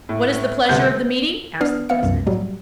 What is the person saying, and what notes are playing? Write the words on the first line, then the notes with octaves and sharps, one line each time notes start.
"What is the pleasure of the meeting?" asked the president.
A2
D2 C3 G3 B4 F#5 G6
B3 D4 D#6 F6 C7
B3 E5 F5 C#7
C2 F#2
A2 F#3 G3